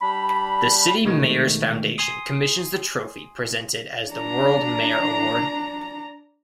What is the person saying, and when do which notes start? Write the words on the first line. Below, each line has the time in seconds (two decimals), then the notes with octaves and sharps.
The City Mayors Foundation commissions the trophy presented as the World Mayor Award.
0.01 G3 D4 B5
1.05 B2 D#3 G#3 A3
1.98 G#5 C6 D#6
4.10 D4 A#5